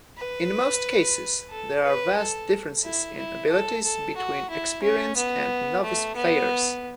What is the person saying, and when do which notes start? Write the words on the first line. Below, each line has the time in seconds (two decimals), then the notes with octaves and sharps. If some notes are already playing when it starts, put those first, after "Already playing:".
In most cases, there are vast differences in abilities between experienced and novice players.
0.18 B4
1.50 A4
1.83 B4
2.18 A4
2.84 E4
3.17 E4
3.51 A4
3.84 A4
4.17 F#4
4.50 E4
4.83 C#4
5.17 B3
5.83 A3
6.16 B3